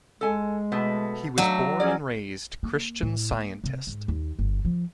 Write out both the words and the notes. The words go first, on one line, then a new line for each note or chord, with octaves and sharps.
He was born and raised Christian Scientist.
G#3 A4 G#5
B2 A3 B3
F#3 A3 D4
C#4 G#4 D5
A#3
A2
A#3
C3
G#2
D#2
G1
F3